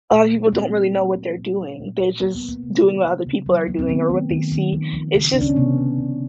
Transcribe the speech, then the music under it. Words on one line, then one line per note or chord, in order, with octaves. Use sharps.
a lot of people don't really know what they're doing, they're just doing what other people are doing or what they see, it's just,
A#2
F#3
A3 A#3 C4
A3
F#3
A3
A#2
G3
A#2
A#2
G3 A#3
B3
G3
A#3
C3
D#3
A#3
C#3
F#3
A#3
C4
D#3 B3
A3
D#3
D#3
F3
F3
C#3
C#3 D4
C#4
C4
C3 B3
C3
C3